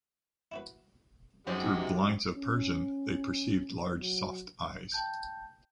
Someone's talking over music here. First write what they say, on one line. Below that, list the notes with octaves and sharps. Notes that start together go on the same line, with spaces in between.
Through blinds of persian, they perceived large soft eyes.
E4 F#4 B4
F#2 D#3 F3 F#3 G#3 C4 F#4 G4
C3
C#4
F#3
G5 A5 G6